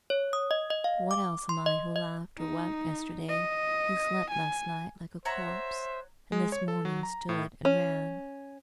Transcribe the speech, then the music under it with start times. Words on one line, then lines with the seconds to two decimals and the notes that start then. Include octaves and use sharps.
What else am I who laughed or wept yesterday, who slept last night like a corpse, and this morning stood and ran?
0.10 C#5
0.33 D#6
0.51 D#5
0.70 D#5
0.84 F5
1.11 D6
1.49 C6
1.66 D#5
1.96 D#5
2.38 D#4
3.29 D#5
4.31 G#5
5.25 C5 C#5 E5 F#5 A#5
6.32 G#3
6.52 C#5
6.68 A4
6.85 F#3
7.03 A#5
7.29 A2
7.65 C#4